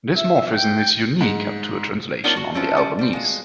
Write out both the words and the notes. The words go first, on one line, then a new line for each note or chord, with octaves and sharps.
This morphism is unique up to a translation on the Albanese.
E5
G5
G#2
B3 D4 D#4 F4 A#4 C#5
F#4
A3 C4 C#4 D#4 F4 B4
G3 C#4 D5
G3 C4
G#3 F4 F#4